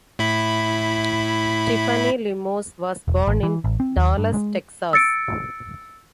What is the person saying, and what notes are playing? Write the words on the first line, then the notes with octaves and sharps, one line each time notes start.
Tiffany Limos was born in Dallas, Texas.
A2 E4 B5
E1
A1
E3
A1
C4
D#2
G2
G#3
E6 A6 C#7 D7